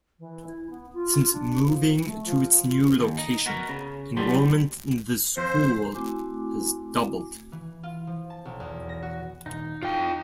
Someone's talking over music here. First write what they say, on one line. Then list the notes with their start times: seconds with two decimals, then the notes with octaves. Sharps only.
Since moving to its new location, enrolment in the school has doubled.
0.19 E3
0.46 E4
0.70 B3
0.93 F4
1.32 D4
1.65 F3
2.05 A3
2.25 F3
2.66 F4
2.99 D#2
3.18 D#4
3.46 B3 F#4 A#4
3.69 C#3
4.17 A2 F#3 G3 G4 B4 C6
5.37 F2 C5
5.94 A3 C4 E4 F#4 G#5 D6
7.52 E3
7.83 F4
8.07 F3
8.30 A5
8.45 B1
8.60 E2
8.89 A#6
9.02 F#4
9.46 D#1 D#4
9.83 E2 F4 G5